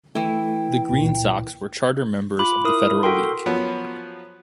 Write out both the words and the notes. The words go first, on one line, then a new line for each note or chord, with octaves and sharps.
The Green Sox were charter members of the Federal League.
E3 A3 E4 G5
C#2 A#2
F4 B5 D6
E4 A#4 D#6
F#4 A4 A#4 G5 C6
F3 F#3 B3 C#4